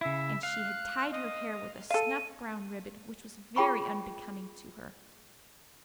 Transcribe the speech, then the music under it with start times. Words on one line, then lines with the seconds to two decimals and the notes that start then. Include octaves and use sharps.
And she had tied her hair with a snuff-brown ribbon which was very unbecoming to her.
0.01 C#3 E4 E5
0.43 F5 F#6
1.11 D#5
1.90 A4 F5 D#7
3.56 F4 G#4 G5 B5 C#6